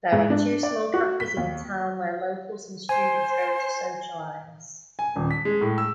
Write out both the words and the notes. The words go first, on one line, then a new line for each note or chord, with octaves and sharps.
There are two small cafes in town where locals and students go to socialize.
G#2
D4
D5
F#4
B6
D#2
C5 G#5
G#5
D#1
B6
G#3
A2
E6